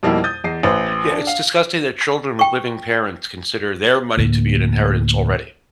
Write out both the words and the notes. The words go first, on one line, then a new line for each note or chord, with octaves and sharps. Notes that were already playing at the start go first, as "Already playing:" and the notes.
Yeah, it's disgusting that children with living parents consider their money to be an inheritance already.
F2 B2 G3 A#3 D#4 E4
D#6 G6 A6
E2 D#5 C7
A1 B4 C5
D4
F5
G5 C#6
D2 A2 A#3